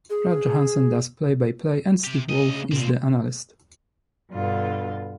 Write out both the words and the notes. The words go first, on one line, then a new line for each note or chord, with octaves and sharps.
Brad Johansen does play-by-play and Steve Wolf is the analyst.
G#4
C3 G4
D2 D#5
C#3
D#2 A#2 C4
G2 B2 D3 F4